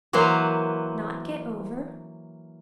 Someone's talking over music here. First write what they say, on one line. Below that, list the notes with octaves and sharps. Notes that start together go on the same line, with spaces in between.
Not get over?
E3 F#3 A#3 B4 C5